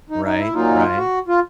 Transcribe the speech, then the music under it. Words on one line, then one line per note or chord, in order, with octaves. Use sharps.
Right, right.
D#4
D#4
E4
A#2 F#3 A#3 D#4 F4
F#4
F4